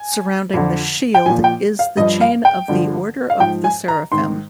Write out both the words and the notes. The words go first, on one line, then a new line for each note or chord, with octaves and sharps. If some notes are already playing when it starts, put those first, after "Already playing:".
Surrounding the shield is the chain of the Order of the Seraphim.
Already playing: G#5
F2 D3 F3
G5
A#2 F3 G#5
G5
F5
G2 F3 D#5
F5
G5
G2 D3 F3
F5
G#2 F3 G5
G#5
A#5
G#2 D#3 C6